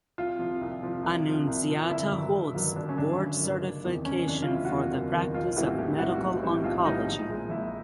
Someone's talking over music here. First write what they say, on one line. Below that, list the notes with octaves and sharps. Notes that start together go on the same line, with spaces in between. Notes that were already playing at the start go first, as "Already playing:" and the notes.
Annunziata holds board certification for the practice of medical oncology.
C2 F4
C3 F3
C2
C3 F3
C2
C3 F3
C2
C3 F3
G1 E4
G2 D#3 F#3
G1
G2 D#3 F#3
G1 D4
C#4
G2 D#3 F#3 D4
G1
G2 D#3 F#3
F#1
E2 C3 D#3
F#1 C#4
E2 C3 D#3 D4
F4
F#1 E4
F#4
E2 C3 D#3 F4
F#1
E2 C3 D#3
B1 F4
A2 E3 G3 C4 F#4
B1 G4
A2 E3 G3 C4 F#4
B1
A2 E3 G3 C4
B1 F4
A2 E3 G3 C4 D#4
A#1
A#2 F3 G#3
A#1 E4